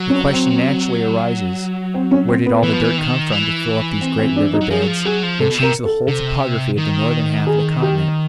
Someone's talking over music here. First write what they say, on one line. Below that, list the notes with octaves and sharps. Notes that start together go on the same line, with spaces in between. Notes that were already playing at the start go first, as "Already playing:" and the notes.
The question naturally arises, Where did all the dirt come from to fill up these great river beds and change the whole topography of the northern half of the continent?
Already playing: F#3
C#4
C4
C4
C#4
C4
B3
E3
F3
E3
D#3
E3
C4
C4
D4
D#4
F#3
F3 G#4
F#3
F3
F#3 G#4
F3
C3 A4
B2
C3 A#4
A4
C3
D#3
G#4
G4